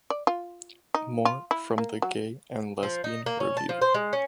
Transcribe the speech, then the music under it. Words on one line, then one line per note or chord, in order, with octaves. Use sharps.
More from The Gay and Lesbian Review.
D5
F4
D#4
F4
E4
A#3
F#3
F3
D#4
A#3
C#4
A5
F3
C5
G#3
C#4